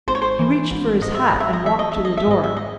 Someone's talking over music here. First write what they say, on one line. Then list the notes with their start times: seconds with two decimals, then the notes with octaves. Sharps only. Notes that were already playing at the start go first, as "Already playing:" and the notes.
He reached for his hat and walked to the door.
0.08 G#1 C5
0.15 C#5
0.22 C5
0.39 E3
0.71 G#1
1.01 G#2 D#5
1.14 E5
1.28 D#5
1.33 G#1
1.40 E5
1.53 D#5
1.64 E3 E5
1.79 D#5
1.92 G#1 E5
2.05 D#5
2.17 E5
2.28 G#2 D#5
2.44 E5
2.57 D#5